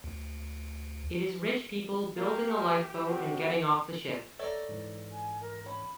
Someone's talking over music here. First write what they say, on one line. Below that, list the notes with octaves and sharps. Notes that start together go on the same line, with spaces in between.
It is rich people building a lifeboat and getting off the ship.
D2
A#3 G4
C3 G3 C4 F#4
A4 C#5 D5 E5 A#5
G#2 E3
G#5
A#4
C#4 B5